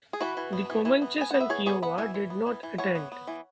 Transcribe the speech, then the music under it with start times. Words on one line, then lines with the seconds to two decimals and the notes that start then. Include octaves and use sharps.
The Comanches and Kiowa did not attend.
0.13 G#4
0.21 E3 F#4 B4
0.37 E3
0.53 B3
0.70 E3
0.85 E3
1.02 B3
1.18 B3 G#5
1.31 B3 F#5
1.40 E5
1.49 E3 G#4 C#5
1.66 B3 G#4 C#5
1.82 B3 F#5 B5
1.98 E3 E5 G#5
2.14 E3
2.30 B3
2.47 E3
2.63 E3
2.78 E3 C#5 F#5
2.95 B3
3.12 B3
3.27 E3